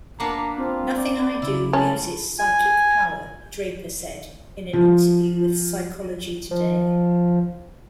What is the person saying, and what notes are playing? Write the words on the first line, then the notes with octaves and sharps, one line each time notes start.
"Nothing I do uses psychic power," Draper said in an interview with Psychology Today.
A#3 B3 D4 A#5
C4 F4
D5
C#3 E4
C#4 A5
G#5
F3
F3